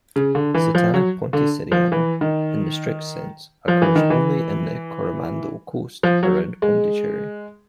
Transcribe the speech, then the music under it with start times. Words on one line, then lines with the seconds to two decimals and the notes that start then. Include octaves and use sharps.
"Sitana ponticeriana" in the strict sense occurs only in the Coromandel coast around Pondicherry.
0.16 C#3
0.35 D3
0.54 E3
0.75 F3
0.94 F#3
1.33 D3
1.72 F3
1.92 E3
2.21 D#3
3.68 F3
3.82 E3
3.96 D#3
4.10 E3
6.03 F3
6.23 F#3
6.62 G#3